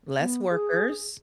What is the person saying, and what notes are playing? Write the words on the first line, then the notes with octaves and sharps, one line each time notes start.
Less workers
B3
G#4